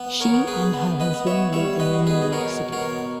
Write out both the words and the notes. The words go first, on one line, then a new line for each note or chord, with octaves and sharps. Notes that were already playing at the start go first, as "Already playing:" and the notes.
She and her husband live in New York City.
Already playing: B3
A#4 C#5
B3
G#4 B4
B3
B4 D#5
B3
C#5 E5
G3 C#5 E5
B4 D#5
B2
G#4 B4
D#5
B2 A#4 C#5
B2 A#4 C#5